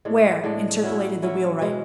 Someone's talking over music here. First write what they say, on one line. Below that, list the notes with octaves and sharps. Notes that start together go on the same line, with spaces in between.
"Where?" interpolated the wheelwright.
A2 G#3 D4
A2 G#3 D4
F#3 C#4 E4
F#3 C#4 E4
B2 G#3 C#4